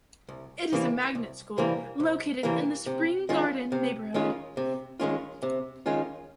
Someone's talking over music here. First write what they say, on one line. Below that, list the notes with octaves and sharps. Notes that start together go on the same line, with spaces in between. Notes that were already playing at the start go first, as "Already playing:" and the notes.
It is a magnet school, located in the Spring Garden neighborhood.
C2
C3 E3 G3 A#3
C2
C3 E3 G3 A#3
C2
C3 E3 G3 A#3
C3
D#3 G#3 C#4 F4
C3
D#3 G#3 C#4 F4
C3
D#3 G#3 C#4 F4
C3
D#3 G#3 C#4 F4